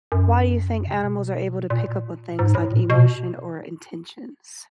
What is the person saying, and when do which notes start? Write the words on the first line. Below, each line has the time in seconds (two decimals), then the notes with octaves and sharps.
Why do you think animals are able to pick up on things like emotion or intentions?
0.12 F#2
0.87 C#3
0.94 C3
1.02 B2
1.70 A#2
2.39 G#2
2.55 A2
2.72 A#2
2.90 B2